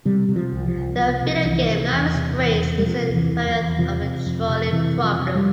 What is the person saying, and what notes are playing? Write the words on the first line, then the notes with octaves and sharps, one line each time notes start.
The video game "Life Is Strange" uses a variant of the trolley problem.
C3 G3
C3
F3
C2
F3
C2
C2 F3
C3
C2 E3
C3
E2
C3
E2
C3
G3
C3 F3
E2
E3
E2
F3
E2
C3 F3
C3
F2
C3
C3 E3
F2
F3
C3
G3